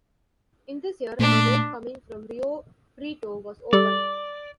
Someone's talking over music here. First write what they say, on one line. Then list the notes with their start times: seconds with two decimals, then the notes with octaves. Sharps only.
In this year, a road coming from Rio Preto was open.
1.19 A#2 A3 D4 B6
3.73 G3 G4 A4 D5